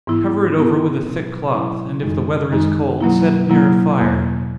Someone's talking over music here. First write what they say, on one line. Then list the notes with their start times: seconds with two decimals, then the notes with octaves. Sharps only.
Cover it over with a thick cloth, and if the weather is cold, set it near a fire.
0.07 G#2 E3 B3 E4
0.56 G#2 E3 B3 E4
1.04 B2 F#3 C#4 E4
1.54 B2 F#3 C#4 E4
2.03 F#2 D#3 G#3 D#4
2.52 F#2 D#3 G#3 D#4
3.01 B2 F#3 A#3 E4
3.50 B2 F#3 A#3 E4
3.99 E2 B2 A#3